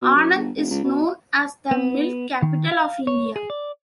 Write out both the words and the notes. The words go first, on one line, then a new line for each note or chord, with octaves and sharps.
Anand is known as the Milk Capital of India.
B2
F#2
G1
F1
C#2
B2
B3
D#3
F5
C#5
G#4
D5